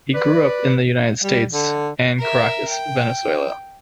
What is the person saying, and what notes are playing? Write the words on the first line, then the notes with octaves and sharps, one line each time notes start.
He grew up in the United States and Caracas, Venezuela.
B4 D5
G3
D3
A#4 E5
G5